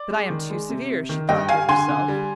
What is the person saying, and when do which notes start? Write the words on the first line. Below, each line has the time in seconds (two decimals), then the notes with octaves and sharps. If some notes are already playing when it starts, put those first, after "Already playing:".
"But I am too severe," she thought to herself.
Already playing: D5
0.10 G#3
0.30 D#3
0.50 G#3
0.69 C3
0.90 C3
1.09 D#3
1.29 G2 D#5 G5
1.49 G3 F5 G#5
1.69 D3 G#5 C6
1.89 D3
2.08 G3